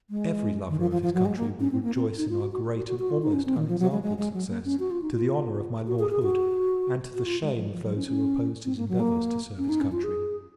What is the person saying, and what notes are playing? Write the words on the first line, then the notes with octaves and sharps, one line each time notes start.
Every lover of his country will rejoice in our great and almost unexampled success, to the honour of my Lord Hood, and to the shame of those who opposed his endeavours to serve his country.
G#3
D#3
F3
F3
F3
F#3
G#3
A#3
C#4
C4
A#3
C4
D#4
F4
F#4
F#4
F4
F#4
F#4
F#4
F4
D#4
C#4
C4
D#3
F3
F#3
G#3
G#3
G#3
F#3
A#3
C#4
F#4
F4
D#4
F4
F#4
G#4
G#4
F#4
F#4
F4
G#3
F3
F3
F#3
C#4
C#4
C4
A#3
F#3
A#3
C#4
D#4
C#4
F4
G#4